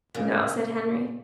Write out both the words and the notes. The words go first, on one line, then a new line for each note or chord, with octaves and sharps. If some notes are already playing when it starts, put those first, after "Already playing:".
"No," said Henry.
A#2 C#3